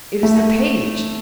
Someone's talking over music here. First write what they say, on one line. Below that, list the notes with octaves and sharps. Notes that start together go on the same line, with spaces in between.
It is the page!
A3